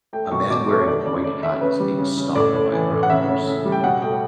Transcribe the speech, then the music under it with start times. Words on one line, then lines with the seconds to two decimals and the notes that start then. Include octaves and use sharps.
A man wearing a white hat is being stomped by a brown horse.
0.13 A3 G5
0.31 B2 C#6
0.50 B2 D6
0.69 A3 C#6
0.79 C#5
0.87 A3 D5
1.06 C#3 D5
1.24 C#3 D5
1.43 C#3 E5
1.61 C#3 B4
1.80 G3
1.98 C#3
2.17 C#3
2.35 A2 D5
2.54 A2
2.72 E3
2.91 A2
3.03 F#5
3.10 C#3 E5
3.28 C#3
3.47 C#3
3.65 G3
3.72 G5
3.84 B2 F#5
4.02 A3 G5